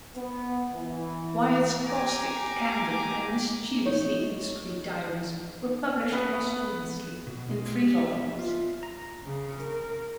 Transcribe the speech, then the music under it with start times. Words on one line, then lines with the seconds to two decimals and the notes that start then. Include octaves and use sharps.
Wyatt's caustic, candid and mischievously indiscreet diaries were published posthumously in three volumes.
0.16 B3
0.74 E3
1.83 G4 G#5 A#5 D6
3.86 D#4 C#5
6.12 B3
7.27 B2
7.51 G#3
7.75 G4
8.04 E5
8.39 F4
8.83 A#5
9.25 C#3
9.62 A#4